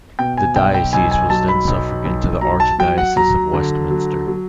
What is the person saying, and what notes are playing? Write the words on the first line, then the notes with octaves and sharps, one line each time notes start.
The diocese was then suffragan to the Archdiocese of Westminster.
B2 G5
G#5
B1 G5
G5
B1 G#5
G#5
F#3 A5
B5
B1
B1
F#3 A#5
A5
F#3 G5
F#5
F#3 A#5
D3
F#3
F#3